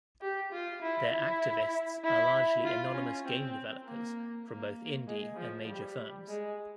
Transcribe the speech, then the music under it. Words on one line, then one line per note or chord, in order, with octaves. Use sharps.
Their activists are largely anonymous game developers from both indie and major firms.
G4
F4
E4
E4
E4
F4
C#4
C4
A#3
A#3
G#3
F3
G3
G#3